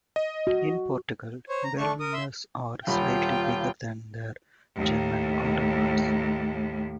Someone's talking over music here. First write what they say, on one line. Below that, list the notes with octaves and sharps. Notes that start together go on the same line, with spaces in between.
In Portugal, Berliners are slightly bigger than their German counterparts.
D#5
F#4
C5 C#5
A#5
A3 D4 C#6
A#4 D#6
E5 C6 E6
D#1 F4 G5 B5
D#2 A2